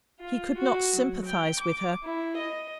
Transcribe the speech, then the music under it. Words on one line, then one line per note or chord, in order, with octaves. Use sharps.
He could not sympathise with her.
F4
F#4
F#3
G5
D6
E4
D#5